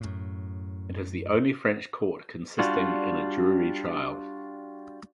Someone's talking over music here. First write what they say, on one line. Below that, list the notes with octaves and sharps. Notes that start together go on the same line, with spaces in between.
It is the only French court consisting in a jury trial.
F#2 A2
G3 D4 F4 F#4